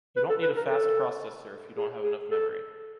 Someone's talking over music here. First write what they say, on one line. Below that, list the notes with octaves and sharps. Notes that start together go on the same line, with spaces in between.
You don’t need a fast processor if you don’t have enough memory.
B4
A4
B4
A#4
A4
G#4
G#4
A4